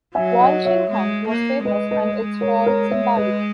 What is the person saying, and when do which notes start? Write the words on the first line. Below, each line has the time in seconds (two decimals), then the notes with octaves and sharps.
Walsingham was famous and its fall symbolic.
0.15 F#3 E5 G#5
0.41 D#5 F#5
0.65 C#5 E5
0.90 G#3
1.28 A#3
1.65 G#3 B4 D#5
1.91 B4 D#5
2.41 A#4 C#5
2.66 A#4 C#5
2.91 C#5 E5
3.17 B4 D#5